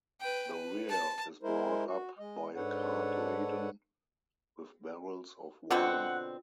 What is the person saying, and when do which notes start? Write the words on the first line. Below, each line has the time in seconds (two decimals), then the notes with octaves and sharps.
The rear is brought up by a cart laden with barrels of wine.
0.20 B4 G5
0.52 B4
0.89 A5
1.43 G#3 E4 A#4 C5
1.86 F#4
2.19 G#3 D#5
2.55 G#2 D4 A4 B4 C#5 F#5
5.71 B2 D3 C4 F4 F#5 G5